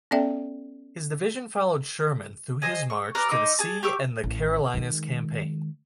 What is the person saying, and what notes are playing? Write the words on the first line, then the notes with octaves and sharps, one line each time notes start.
His division followed Sherman through his March to the Sea and the Carolinas Campaign.
B3 C#4 A4 D5 E5 G5
C5 D#5 G#5
C#6
A#4 B4 D5
D#4 C6 D6 E6
G#4 A5
G4 C#6 D6 E6
A1
D#3 G#3